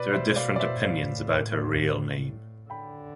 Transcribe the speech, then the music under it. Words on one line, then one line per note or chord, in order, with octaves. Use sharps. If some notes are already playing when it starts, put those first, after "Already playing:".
There are different opinions about her real name.
Already playing: B2 B4 D5
C5 E5
D5 F5
D5
C5 E5
A2 D5 F5
D3 G5 B5